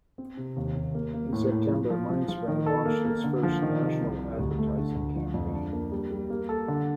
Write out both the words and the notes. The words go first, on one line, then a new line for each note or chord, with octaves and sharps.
In September MindSpring launched its first national advertising campaign.
C4
C3
D#2
D#2
A#3
A#3
A2
A2
F3
F3
F3
F3
D#3
A4
A#3
A#3
D3
F3
D#3
C3
C2
G3
D2
A3
D3
D2
F3
F2
D4
A#3
G3
G3
A#3
A4
D3